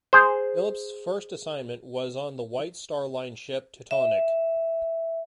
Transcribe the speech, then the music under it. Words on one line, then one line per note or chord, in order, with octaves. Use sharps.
Phillips's first assignment was on the White Star Line ship "Teutonic".
G#4 C5
E5